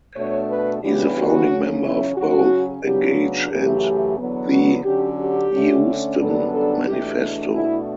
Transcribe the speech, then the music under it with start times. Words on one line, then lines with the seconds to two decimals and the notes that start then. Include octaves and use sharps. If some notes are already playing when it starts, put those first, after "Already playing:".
He is a founding member of both Engage and the Euston Manifesto.
0.15 B2 A3 D4 C#5
0.49 B4
0.82 C#3 E3 G3 B3 D4 G4
1.16 F#4
1.49 E2 C#3 F#3 C#4
1.83 E4
2.16 C#3 F#3 C#4 F#4
2.83 C#3 F#3 B3 D4 G4
3.50 F#2 C#3 E3 A3 G4
4.18 E2 D3 F#3 B3
4.51 F#4
4.84 D3 F#3 C#4 G4
5.18 G4
5.52 D3 A3 C#4
6.19 F#2 D3 G3 B3 D4 A4
6.52 A4
6.86 E2 B2 A3 D4 G4
7.53 B2 A3 D4 E4